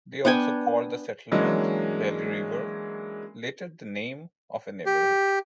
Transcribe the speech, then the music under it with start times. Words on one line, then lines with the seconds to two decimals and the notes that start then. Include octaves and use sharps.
They also called the settlement "Belle River", later the name of a neighborhood.
0.25 B3 D4 G5 G#5
1.31 E3 F#3 G#3 A#3 C#4 D4
4.86 G4